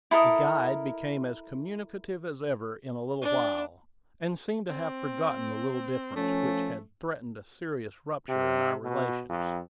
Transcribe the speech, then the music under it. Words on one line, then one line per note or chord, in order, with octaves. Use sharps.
The guide became as communicative as ever in a little while, and seemed to have forgotten the little difference which had threatened a serious rupture in our relations.
E4 A4 A#4 D#5
D4
C4
F3 A3 C#4
C3
B2
F2